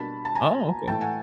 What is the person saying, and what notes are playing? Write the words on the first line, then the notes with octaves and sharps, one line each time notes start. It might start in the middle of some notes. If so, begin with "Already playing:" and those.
Oh, okay.
Already playing: B2 G3 A#3 D4 A5 B5
A5
G#5 A#5
A2 E3 A3 G5 A5
F#5 G#5